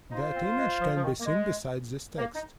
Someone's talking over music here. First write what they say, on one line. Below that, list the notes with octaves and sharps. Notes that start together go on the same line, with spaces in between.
That image can be seen beside this text.
D#4 F4 C5 F5
C4
G#3
F3
F3
D#3
A#3
G#3
A#3
D#4